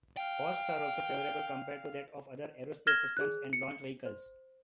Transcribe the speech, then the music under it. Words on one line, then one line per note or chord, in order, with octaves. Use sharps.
Costs are also favourable compared to that of other aerospace systems and launch vehicles.
F5 G5
F6 G#6 A#6 E7 G7
G#4 F#6
C#7
C5